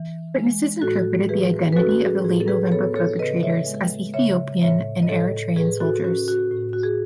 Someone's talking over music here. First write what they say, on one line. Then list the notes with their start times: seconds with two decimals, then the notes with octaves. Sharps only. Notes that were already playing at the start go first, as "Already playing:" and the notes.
Witnesses interpreted the identity of the late November perpetrators as Ethiopian and Eritrean soldiers.
Already playing: E3
0.35 G#3
0.82 A2 F#4 A4
1.29 E3 G#4 B4
1.73 B4
1.77 C#4 F#4 A4
1.89 F#4
2.01 G#4
2.24 A2 G#4
2.40 A4
2.48 G#4 B4
2.72 B3 A4 C#5
2.96 A4 C#5
3.19 C#3 B4 D#5
3.43 C#5 E5
3.67 G#3
4.14 C#3 C#5 E5
4.62 A2 C#5 E5
5.02 D#5
5.09 A2 A4 C#5
5.56 A2 G#4 B4
5.80 F#4 A4
6.04 C#4 F#4
6.28 F#4
6.51 A2
6.73 F#4
6.83 G#4